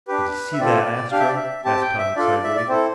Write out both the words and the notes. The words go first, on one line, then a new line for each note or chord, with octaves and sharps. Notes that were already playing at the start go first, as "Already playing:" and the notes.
"Did you see that, Astro?" asked Tom excitedly.
D4 G4 B4
E5
C4 F4 A4 D5
D4 G4 F5
E5
D5
E5
C4 G4 A5
G5
E5
D4 F4 A4 D5
E5
D5
C4 E4 A4 C5